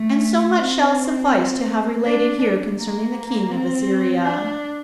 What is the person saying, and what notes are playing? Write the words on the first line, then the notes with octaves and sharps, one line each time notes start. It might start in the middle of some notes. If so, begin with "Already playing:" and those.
And so much shall suffice to have related here concerning the king of Assyria.
Already playing: A3
C4
D4
A#3
C4
D4